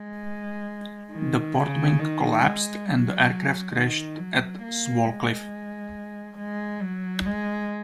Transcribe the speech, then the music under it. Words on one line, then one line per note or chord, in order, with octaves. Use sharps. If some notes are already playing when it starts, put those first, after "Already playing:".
The port wing collapsed and the aircraft crashed at Swalcliffe.
Already playing: G#3
D#3
C#3
D#3
G#3
F#3
D#3
F#3
A#3
G#3
G#3
F#3
G#3